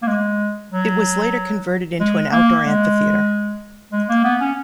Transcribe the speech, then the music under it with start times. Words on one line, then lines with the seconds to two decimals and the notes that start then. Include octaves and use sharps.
It was later converted into an outdoor amphitheater.
0.03 A#3
0.07 G#3
0.72 F#3
2.00 G#3
2.32 A#3
2.64 G#3
3.92 G#3
4.09 A#3
4.24 B3
4.41 C#4